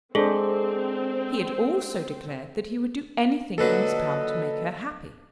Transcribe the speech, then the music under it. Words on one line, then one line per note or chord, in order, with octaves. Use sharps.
He had also declared that he would do anything in his power to make her happy.
G#3 C4 D4 G#4 A4 C5
A#2 D3 F#3 A4 B4 D#5